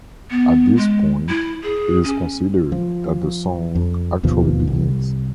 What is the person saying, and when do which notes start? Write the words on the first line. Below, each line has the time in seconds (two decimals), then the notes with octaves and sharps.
At this point, it is considered that the song actually begins.
0.31 B3
0.77 G#3
1.29 E4
1.63 G#4
2.04 C#4
2.72 F3
3.75 F2
4.23 G#1 D#2 B2 F3
4.67 C2